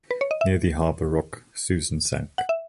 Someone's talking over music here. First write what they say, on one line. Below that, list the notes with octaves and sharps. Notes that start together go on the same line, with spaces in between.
Near the Harbour Rock "Susan" sank.
B4
C#5
D#5
E5
F#5
E5